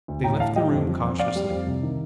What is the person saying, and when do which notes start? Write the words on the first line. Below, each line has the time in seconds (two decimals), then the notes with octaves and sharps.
They left the room cautiously.
0.08 D2
0.24 A2 G5 A#5
0.40 A2 F5 A5
0.56 G3 D#5 G5
0.72 F2
0.88 F3
1.03 F2
1.19 F2 D5 F5
1.35 G3
1.50 F2
1.66 C2
1.83 D#3